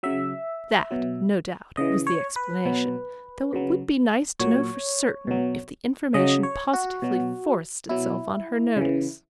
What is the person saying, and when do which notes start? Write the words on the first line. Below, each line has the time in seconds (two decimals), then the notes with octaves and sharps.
That, no doubt, was the explanation, though it would be nice to know for certain, if the information positively forced itself on her notice. . . .
0.03 C#3 F#3 E5
0.91 B2 F#3
1.77 C#3 E3 D#5
2.07 C#5
2.36 B4
2.65 B2 F#3
3.53 C#3 F#3
4.40 A#2 F#3 C#5
5.27 B2 F#3
6.14 C#3 F#3 D#5
6.43 C#5
6.73 F#4
7.02 B2 F#3
7.89 B2 F#3 E4
8.77 C#3 E3